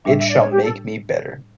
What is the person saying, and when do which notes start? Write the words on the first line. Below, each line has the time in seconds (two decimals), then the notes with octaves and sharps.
It shall make me better.
0.05 A2 G3 D4 E5
0.16 E5
0.28 D5
0.39 C#5
0.50 G4
0.63 A4